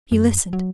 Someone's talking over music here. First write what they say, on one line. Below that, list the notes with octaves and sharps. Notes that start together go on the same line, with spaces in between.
He listened.
F#2
F#3